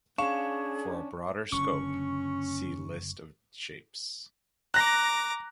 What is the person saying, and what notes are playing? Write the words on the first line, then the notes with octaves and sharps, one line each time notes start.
For a broader scope, see list of shapes.
C#4 D4 G#4 F5 C#6 E7
F#1 D3 C#4 C#6
A#5 D6 F#6 A#6